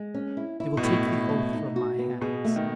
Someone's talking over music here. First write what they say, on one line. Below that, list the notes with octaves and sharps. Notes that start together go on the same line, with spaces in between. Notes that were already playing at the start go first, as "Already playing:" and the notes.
They will take the oath from my hands.
Already playing: G#3
C#4
E4
E4
B2
A2 E4
E4
A3
D#4
F#4
B3
B2 G#4
A3
D#3